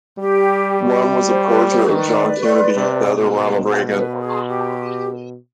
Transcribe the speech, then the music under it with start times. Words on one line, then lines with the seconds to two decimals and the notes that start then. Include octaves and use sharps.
One was the portrait of John Kennedy, the other Ronald Reagan.
0.18 G3 G4
1.27 C5
1.47 B4
1.69 C5
1.90 D#3 B4 D5
2.77 C3
3.19 B2
3.63 C5
3.91 B4
4.19 G#4
4.48 G4